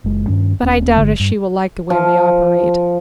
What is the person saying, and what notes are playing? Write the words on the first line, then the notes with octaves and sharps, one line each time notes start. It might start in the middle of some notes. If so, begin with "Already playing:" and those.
But I doubt if she will like the way we operate.
F#1 G#3
G2 D#3 C#4
D#1 A#3 B3 C#4
G1 D3 G#3
G2
F3